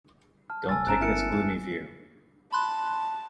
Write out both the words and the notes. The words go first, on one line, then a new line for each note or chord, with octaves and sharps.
Don't take this gloomy view.
A5 F6
D1 C3 G#5 E6 A6
G1 C#4 C5 A#5 F#6 D7 E7
E4 A#4 A6 C#7
F2 E4
A5 B5 C6 F#6